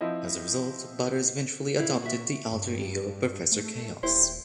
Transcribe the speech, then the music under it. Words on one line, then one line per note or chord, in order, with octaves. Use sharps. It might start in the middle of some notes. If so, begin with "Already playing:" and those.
As a result, Butters vengefully adopted the alter ego of Professor Chaos.
F3 C4 E4 D#5
A#2 E4 F5
F#4 E5
G2
A3
D#1 E4 G4 C5